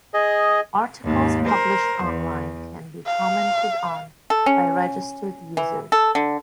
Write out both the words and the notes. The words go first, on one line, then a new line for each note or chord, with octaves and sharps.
Articles published online can be commented on by registered users.
G#4 D#5
D#2 G#2
A#4 C5
E2
F5
A4
C#4
E3
A4
D3